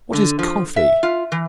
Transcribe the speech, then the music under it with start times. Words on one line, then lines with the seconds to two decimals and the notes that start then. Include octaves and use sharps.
What is Coffee?
0.13 D3
0.39 F3
0.76 E5
1.03 F4
1.32 E3